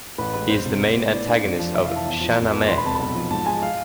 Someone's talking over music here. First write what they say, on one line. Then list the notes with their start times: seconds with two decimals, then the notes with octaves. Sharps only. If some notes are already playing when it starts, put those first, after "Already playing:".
He is the main antagonist of Shahnameh.
0.18 A1 B4
0.34 G#3 B4
0.49 E1 C5
0.66 C3
0.81 G#2
0.96 B3
1.12 A2 D5
1.27 D4
1.44 F2
1.59 F3
1.74 F1 E5
1.85 E3 F5
1.96 A5
2.06 E2
2.21 F3
2.37 F2
2.53 B3
2.68 E1 C6
2.78 B5
2.84 C3 A5
2.95 B1 B5
3.15 F3
3.30 G#2 A5
3.46 G#3 G#5
3.63 F5